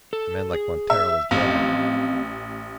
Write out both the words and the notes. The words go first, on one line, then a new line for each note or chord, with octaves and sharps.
A man like Montero is bribed.
A4
G#4
E5
A1 C4 D#5 F5